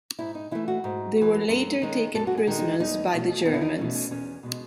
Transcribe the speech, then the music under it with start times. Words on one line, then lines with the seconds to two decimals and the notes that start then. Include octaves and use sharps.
They were later taken prisoners by the Germans.
0.19 G#2 E4
0.35 D#4
0.51 E3 A3 E4
0.68 F#4
0.84 G#2
1.17 E3 A3
1.49 F#2
1.82 D#3 G#3
2.15 F#2 A4
2.27 F#4
2.37 G#4
2.47 D#3 G#3
2.58 D#4
2.80 E2 D#4
3.14 B2 A3
3.41 C#4
3.45 E2 B3
3.54 E4
3.62 D#4
3.78 B2 A3 C#4
3.95 C#4
4.11 E2 C#4
4.43 B2 G#3